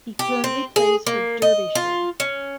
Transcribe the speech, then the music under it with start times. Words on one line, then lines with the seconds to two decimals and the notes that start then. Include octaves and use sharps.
He currently plays for Derbyshire.
0.19 G4
0.44 C4
0.76 G#4
1.07 A#3
1.42 D#5
1.75 F4
2.20 C#4